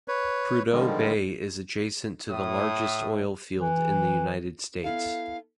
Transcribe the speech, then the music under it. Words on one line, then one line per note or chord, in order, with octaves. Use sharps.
Prudhoe Bay is adjacent to the largest oil field in the United States.
B4 C#5
D3 D#3 F3 G3 G#3
A2 D#6
E3
B3 E4 A4 F5